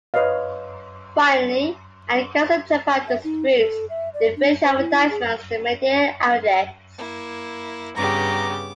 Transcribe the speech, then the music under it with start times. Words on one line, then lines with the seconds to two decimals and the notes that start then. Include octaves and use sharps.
Finally, Ad Council Japan distributes the finished advertisements to media outlets.
0.14 B4 C#5 D#5 F5
3.08 E5
3.24 D#4
3.57 A4
3.90 E5
4.14 D5
4.37 D4
4.63 C5
4.79 E4
5.10 G#4
6.98 A#3 E4
7.96 G2 C#3 B3 G4 A#5 D6